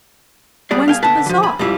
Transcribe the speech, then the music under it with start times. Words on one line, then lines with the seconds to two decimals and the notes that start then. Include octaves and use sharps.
'When's the bazaar?'
0.71 G3 B3 G#4 D5
0.88 F5 G5 G#5
1.03 D3 B4 A5
1.26 E3 F3
1.43 G#5 B5
1.59 F2 G#2 G3 C#4 E4 F4